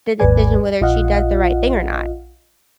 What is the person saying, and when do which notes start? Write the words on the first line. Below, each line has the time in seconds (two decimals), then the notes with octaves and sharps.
the decision whether she does the right thing or not.
0.20 G#1 D#2 G#2 B4 D5 G#5
0.81 A#1 F4 D#5 F5 F#5